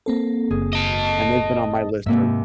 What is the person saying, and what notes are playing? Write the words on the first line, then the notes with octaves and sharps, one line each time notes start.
and they've been on my list for
A#3 C4 A4
F#1 G#4
D#5 A5
D#2 G#2 C3 A#3 E5